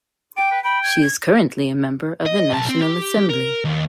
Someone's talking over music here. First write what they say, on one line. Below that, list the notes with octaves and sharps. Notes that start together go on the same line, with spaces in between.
She is currently a member of the National Assembly.
G5 D6
B4
G5 B5
G#6
G#6
D#5
B1 A5
C4
G4
A#4
D#2